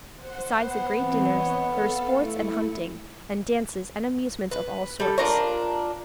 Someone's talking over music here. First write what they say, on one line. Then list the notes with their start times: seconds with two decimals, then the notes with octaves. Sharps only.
Besides the great dinners, there were sports and hunting, and dances, and amusements of all sorts.
0.16 C5 F#5
0.62 B3
0.97 E3 C4
1.29 C#5 D#5
1.63 A4 F5
2.19 A3 E4
4.51 B4
5.00 G3 A4
5.18 D4 F4 A#4 C#5